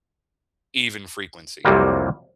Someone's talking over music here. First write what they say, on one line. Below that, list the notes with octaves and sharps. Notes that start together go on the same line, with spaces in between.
even frequency.
C2 F2 C3 F#3 G3 A#3